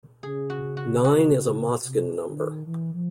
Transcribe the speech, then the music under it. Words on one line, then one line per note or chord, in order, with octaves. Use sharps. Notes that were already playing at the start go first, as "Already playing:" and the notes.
Nine is a Motzkin number.
C#3 G#4
F#4
F#4
F#4
C3
D3
D#3
E3
F3